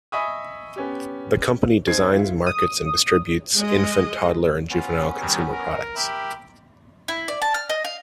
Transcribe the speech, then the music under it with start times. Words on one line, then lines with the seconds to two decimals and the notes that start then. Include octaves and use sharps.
The company designs, markets and distributes infant, toddler and juvenile consumer products.
0.12 D#5 E5 G#5 B5 C#6 D#6
0.76 B3 C#4 G4
1.87 D#2 C4 D#4 G#6 C7
2.11 E4 F4
2.47 D#6
3.56 G#3 D#5
4.70 B3 C#4 F4
5.18 D#3 F#3 G3
5.52 A#4
5.95 G4 A#4 E5 B5
7.08 E4
7.28 D5
7.42 A5
7.54 F6
7.70 D#5
7.84 F5